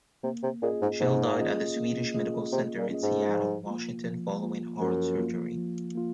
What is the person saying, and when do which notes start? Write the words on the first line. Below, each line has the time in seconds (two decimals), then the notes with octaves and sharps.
Schell died at the Swedish Medical Center in Seattle, Washington following heart surgery.
0.24 C3 A#3
0.43 C3
0.62 A#2 C#4 F4 G#4 D#5
0.81 G#2
1.00 G#2 A#3
1.38 C#4 F4 G#4 D#5
1.76 A#3
2.15 C#4 F4 G#4 D#5
2.52 C3 A#3
2.78 A#2
2.91 C#4 F4 G#4 D#5
3.03 G#2
3.29 F3
3.66 A#3 F4
4.05 F3
4.43 A#3 F4
4.80 F#2 F3
5.19 A#3 F4
5.57 F3
5.95 A#3 F4